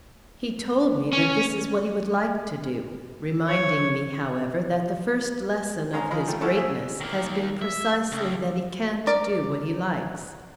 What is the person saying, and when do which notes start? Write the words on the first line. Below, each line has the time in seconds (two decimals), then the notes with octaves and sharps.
He told me that this is what he would like to do; reminding me, however, that the first lesson of his greatness has been precisely that he can't do what he likes.
1.13 C#4
3.48 C#5
5.93 A#1 G#3 C#4 F5 A#5
6.11 F3 G#3 A#4 D#5 F5 B5
6.27 D#3 G3 A3
6.41 G#3 A3 C#4 E4 A4 F#5
6.57 G#4 E5
7.01 D#3 A#3
7.62 E5
8.12 C#2
9.07 A#4 D5